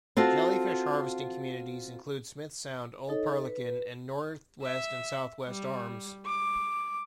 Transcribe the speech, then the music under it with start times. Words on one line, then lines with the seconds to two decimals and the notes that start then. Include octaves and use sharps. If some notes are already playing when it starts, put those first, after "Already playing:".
Jellyfish harvesting communities include Smith Sound, Old Perlican, and Northwest and Southwest Arms.
0.17 C4 F4 F#4 A4
3.07 D#4 A4 C#5 D#5
3.45 B4
4.63 E5
5.46 G3
6.26 D6